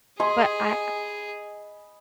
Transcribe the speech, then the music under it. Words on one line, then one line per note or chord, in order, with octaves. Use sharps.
but, I
G4 G#4 D#5 G#5 B5 C6